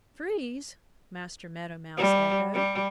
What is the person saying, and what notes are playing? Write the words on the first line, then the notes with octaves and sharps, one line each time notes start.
"Trees!" Master Meadow Mouse echoed.
G3
G3